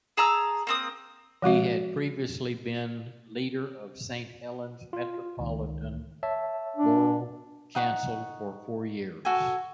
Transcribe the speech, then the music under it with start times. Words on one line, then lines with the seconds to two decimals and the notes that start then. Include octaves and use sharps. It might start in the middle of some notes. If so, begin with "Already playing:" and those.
He had previously been leader of Saint Helens Metropolitan Borough Council for four years.
0.17 G#4 A5 A#5 E6
0.67 A#3 C4 D#6
1.42 F3 G#3 F#4 E5
4.93 F4
5.39 C#2 D#3
6.23 C#5 E5 A5
6.76 D4
7.75 D#4 F#5 C#6
9.25 F#4 A4 G#5